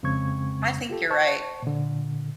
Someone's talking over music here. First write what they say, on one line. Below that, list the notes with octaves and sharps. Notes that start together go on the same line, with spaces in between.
I think you're right.
F2 C#3 G#3 C4 C#6 G#6
F4 G4 A4
C5 A5 C#6
A#2 D3